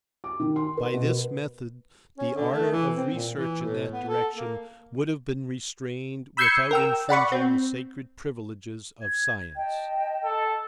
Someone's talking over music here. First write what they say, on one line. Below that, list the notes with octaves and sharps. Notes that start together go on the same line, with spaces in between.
By this method the ardour of research in that direction would have been restrained without infringing the sacred privileges of science.
D6
D#3
C6
B4
B2
B4
C#4
D3
A3
E3
C4
A#2
E3
A2
B3
A4
A#3
B5 E6 G6 G#6 C7 C#7
A#4 G5 E6
D5 F#5 B5 C#6
C4
G#6
D#5 G5 A5
A4